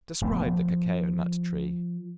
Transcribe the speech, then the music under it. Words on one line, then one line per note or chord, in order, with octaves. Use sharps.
Describe the Cacao-nut Tree.
D1 A#1 A3 B3
F3